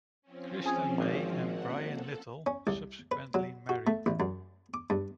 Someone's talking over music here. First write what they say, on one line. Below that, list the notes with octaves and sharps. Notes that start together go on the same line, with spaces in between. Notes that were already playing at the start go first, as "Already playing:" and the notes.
Kristen May and Brian Little subsequently married.
F3 C4 C#4
G#4 G#5
G#1
A#3 F#5
A4
C#4
C2
B4
F#3
F#4
A3
A1
F#2
D6
G2